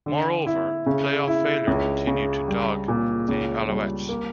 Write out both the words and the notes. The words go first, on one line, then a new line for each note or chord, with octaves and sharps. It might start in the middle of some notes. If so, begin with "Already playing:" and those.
Moreover, playoff failure continued to dog the Alouettes.
D3
E4
C#3
E4
C#2
C#3
G3
A#2
C#2
G3
A#3